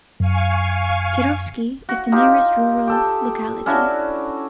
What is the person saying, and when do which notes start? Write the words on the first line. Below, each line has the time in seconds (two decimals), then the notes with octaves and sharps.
Kirovsky is the nearest rural locality.
0.20 F#2 F5 G#5 C#6
1.89 F#4
2.12 D#4 F4 G4
2.87 G4 A4 G5
3.66 C#4 D4 E4 F#4